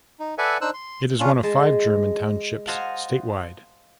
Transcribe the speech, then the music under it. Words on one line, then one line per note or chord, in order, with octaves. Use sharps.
It is one of five German Townships statewide.
D#4
A4 B4 D5 E5 F#5 G#5
D4 D#4 C5 E6 F#6
C6
C#4 D4 F4
G#3 A5
C5 D#5 F5 F#5 G#5 A5